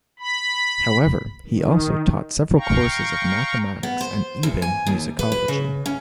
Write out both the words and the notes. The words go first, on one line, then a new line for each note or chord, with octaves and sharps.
However he also taught several courses of mathematics and even musicology.
B5
D#3
F5 G5 A#5 C#6
B3
C5
E2
G#5
D#2
B4
B4
C#3
C#4